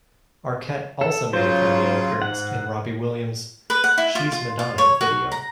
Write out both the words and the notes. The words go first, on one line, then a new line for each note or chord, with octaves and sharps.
Arquette also made a cameo appearance in Robbie Williams' "She's Madonna" video.
A4
C#3 F#3 F4 C5
G#2 F#5
B4
F#5
E4
F4
F4
F4
C#5
F#4
A#5